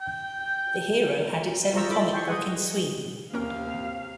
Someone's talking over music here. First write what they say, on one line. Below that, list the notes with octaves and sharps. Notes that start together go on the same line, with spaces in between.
The hero had its own comic book in Sweden.
G5
F4 G#4 C5 A#5 C#6 E6
E4 A4 D5 E5 B5 D6
E5 G5 C6 C#6
G#4 D#5 F#5 G#5
D#2 C3 A#3 C#4 A#4 F5